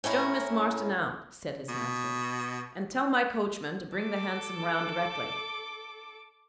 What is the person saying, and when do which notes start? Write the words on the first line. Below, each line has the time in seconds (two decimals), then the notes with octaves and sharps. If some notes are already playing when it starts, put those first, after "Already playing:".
"Show Miss Marston out," said his master; "and tell my coachman to bring the hansom round directly."
0.04 A2 C#4 E4 A#4
1.69 B2
3.96 A4 D6